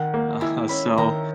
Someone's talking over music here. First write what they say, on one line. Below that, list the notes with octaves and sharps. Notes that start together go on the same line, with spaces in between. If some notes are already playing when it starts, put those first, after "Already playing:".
Aha, so,
Already playing: D#3 F#5
A#3
E4 G#5
C#4 B5
D#3 A#5